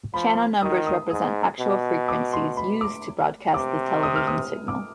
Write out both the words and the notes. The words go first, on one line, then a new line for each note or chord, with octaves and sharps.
Channel numbers represent actual frequencies used to broadcast the television signal.
F3 B5
D#3 D#6
D#6
G#2 D#6
B2
D6
C6
B5
D6
C3 D6
D#6
F6
D#6
D6